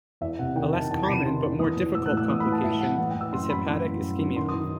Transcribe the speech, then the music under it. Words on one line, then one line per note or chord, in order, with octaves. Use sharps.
A less common but more difficult complication is hepatic ischemia.
E2 E5
C3 F#5
D#3 G5
E2 A5
E2 A5
C3 B5
D#3 C6
E2
E3 D#6
E3
A2 E6
F#6
A2
E6
E3 D#6
B5
E3
A5
A2 E5
A2 F#5
E3 F#5
G5
E3
E6
F#2 C6
F#2 B5
E3
E3
F#2
F#2
D#3 C6
D#6
D#3